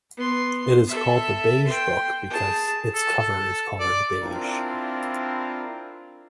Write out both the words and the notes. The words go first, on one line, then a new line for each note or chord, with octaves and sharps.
It is called the "Beige Book" because its cover is colored beige.
B3 C6
A4 E5
G5 C6
G#4 A5
A4
A4
D5
C4 D4 E4 F4 A#4